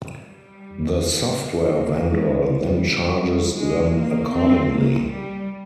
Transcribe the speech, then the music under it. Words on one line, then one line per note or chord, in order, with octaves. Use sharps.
The software vendor then charges them accordingly.
G3
G3
A#3
G#3
G3
G#3
A#3
C4
A#3
G3